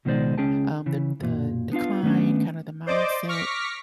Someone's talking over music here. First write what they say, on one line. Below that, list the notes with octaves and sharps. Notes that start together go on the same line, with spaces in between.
um, the the decline, kinda the mindset
C#2 B2 D#3 G#3 C5 D5
C#2 G#3 C#4 G#4 G5 A5
C#3 E3
B1 F#2 A#2
B3 D4 F4 F5
D#3 A3 B3 C#4 D4
C5 D5 D#5 D6
C#6 D6 F6 A#6 B6 C#7